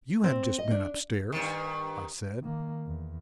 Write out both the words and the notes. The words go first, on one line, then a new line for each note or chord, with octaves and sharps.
"You have just been up-stairs," I said.
C4
D#5
D4
G2 D#3
D#3 A#3
E2